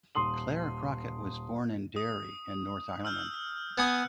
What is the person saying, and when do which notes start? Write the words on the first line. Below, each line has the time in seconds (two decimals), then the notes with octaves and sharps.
Clare Crockett was born in Derry in Northern Ireland.
0.15 D#1 C6 D#6 F#7
1.96 D#6
3.05 E6 F6 G6
3.78 B3 G#5 D#6 F#6 G6 C#7